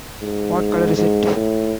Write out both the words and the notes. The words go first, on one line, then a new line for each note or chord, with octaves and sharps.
What color is it?
G#2
G#2
A2